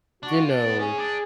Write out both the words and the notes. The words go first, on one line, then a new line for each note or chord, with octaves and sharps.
you know
D4 F#4
F4
D4
B3
C#4 G#4
D4